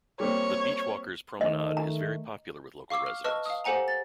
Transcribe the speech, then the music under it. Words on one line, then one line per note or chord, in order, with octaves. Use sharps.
The Beach Walkers promenade is very popular with the local residents.
G3 A#3 C4 C#5
D#3 A3 D#5
A#5
F5 C#6 D6 E6 C7
F6
B4 D#5 A5 C#6 E6 F6
F5 D#6
G4 A4 C5 F#5 G#5 A#5
A6